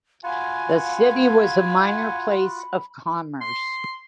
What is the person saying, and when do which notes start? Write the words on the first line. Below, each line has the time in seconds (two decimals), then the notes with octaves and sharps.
The city was a minor place of commerce.
0.24 F4 F#4 F5 F#5 G#5 B5
3.41 C6